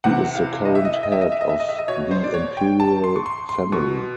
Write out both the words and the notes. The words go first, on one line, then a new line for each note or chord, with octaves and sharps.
He is the current head of the imperial family.
C3 E3 F#5
F5
D#5
E5
D#5
E5
D#5
E5
D#5
E5
D#5
E5
D#5
E5
D#5
B2 C#5
C#5
C5
D5
C#5
G5
A5
C6
C#6
C6
C6
B2 C#6